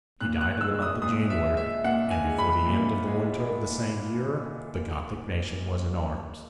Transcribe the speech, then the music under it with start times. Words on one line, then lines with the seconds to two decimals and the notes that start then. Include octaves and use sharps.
He died in the month of January; and before the end of the winter of the same year, the Gothic nation was in arms.
0.21 A#2 F#6
0.41 F#6
0.61 G#3 E6
0.82 D#6
1.02 A#2 D#6
1.30 E5
1.43 G#3
1.57 E5
1.84 A#2 F#5
2.11 G#5
2.25 G#3
2.39 B5
2.66 A#2
3.07 G#3